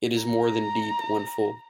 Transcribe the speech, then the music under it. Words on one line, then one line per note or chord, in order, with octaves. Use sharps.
It is more than deep when full.
A#5